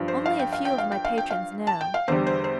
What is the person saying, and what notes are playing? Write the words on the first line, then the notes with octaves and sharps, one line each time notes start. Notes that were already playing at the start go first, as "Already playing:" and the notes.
Only a few of my patrons know.
Already playing: G2 F3
C5
F5
G5
F5
G5
F5
G5
F5
G5
F5
A5
G5
F5
E2 D3 G3 C5
C5
C5